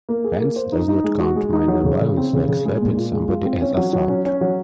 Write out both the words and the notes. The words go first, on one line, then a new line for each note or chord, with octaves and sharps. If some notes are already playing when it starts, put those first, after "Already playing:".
France does not count minor violence like slapping somebody as assault.
A#3
G#4
A#3
C5
D#4
D#4
G#3
F#4
G#3
D#4
F#3
C#3
C#3
C4
C#3
C#3
G#3
A#2
F4
G#3
F4
C4
C#4
F#3
F#3
C#4
C#4
F#3